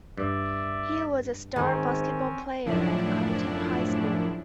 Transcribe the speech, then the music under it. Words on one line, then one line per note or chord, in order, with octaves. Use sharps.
He was a star basketball player at Compton High School.
G2 D5 E5
G#2 D#3 C4 C#4 G#5
F#2 A2 C#3 F3 D4 E4